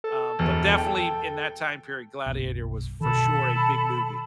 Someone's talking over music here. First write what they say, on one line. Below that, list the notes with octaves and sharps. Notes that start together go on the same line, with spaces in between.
Um, but definitely in that time period, Gladiator was for sure a big movie.
A4
E1
G5
F#1 B1
B2 D#3 A4 A5 B5